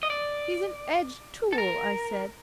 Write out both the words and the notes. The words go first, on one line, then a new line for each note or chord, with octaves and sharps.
'He's an edged tool,' I said.
D#5
D5
A4
A#4